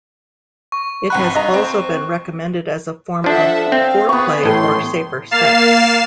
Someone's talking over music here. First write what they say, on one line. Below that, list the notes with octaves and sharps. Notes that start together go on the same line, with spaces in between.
It has also been recommended as a form of foreplay or safer sex.
C#6
G#1 F#5 B5 F#6
G2 D#5 A#5
C4 C5
F3 D4 A4 E5 F#5
C4 F5
B3 G#4 B4 C#6
A1 A2 C6
A#3 F5 F6 A6 C7 E7